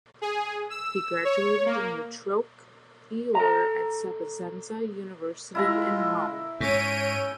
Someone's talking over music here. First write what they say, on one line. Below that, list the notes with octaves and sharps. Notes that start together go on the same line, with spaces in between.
He graduated in utroque iure at Sapienza University of Rome.
G#4
E6
C#5
A#3
A4 A#5
G#3 E4 F4 E5 A#5
G#2 C#4 C#5 G6 D7 D#7